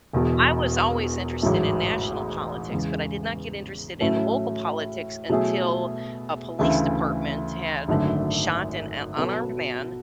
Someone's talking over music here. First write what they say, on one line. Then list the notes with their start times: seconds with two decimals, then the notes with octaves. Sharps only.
I was always interested in national politics, but I did not get interested in local politics until a police department had shot an u unarmed man,
0.13 E1 E2 B2
1.42 A1 G#2 F#3 A3
2.71 E2 C#3 G#3
4.01 A2 F#3 A3 C#4
5.29 B2 F#3 A3 E4 G#4
6.59 D2 C#3 E3 A3
7.88 G#1 F#2 D3 A3
9.17 B2 F#3 B3 F#4 A4